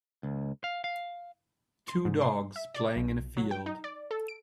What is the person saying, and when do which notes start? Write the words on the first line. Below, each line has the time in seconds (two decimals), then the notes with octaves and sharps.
Two dogs playing in a field.
0.23 C#2
0.64 F5
0.84 F5
1.88 C6
2.05 G#2
2.21 C6
2.56 E5
2.74 D5
2.96 B1
3.37 F#3
3.51 G5
3.66 D#4
3.84 D5
4.11 A4
4.28 D7